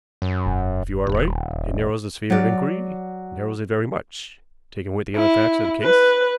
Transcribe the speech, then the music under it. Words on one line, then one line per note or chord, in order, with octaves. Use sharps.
"If you are right, it narrows the sphere of inquiry--narrows it very much, taken with the other facts of the case."
F#2
E1
D#1
F#3 D5
E4
B4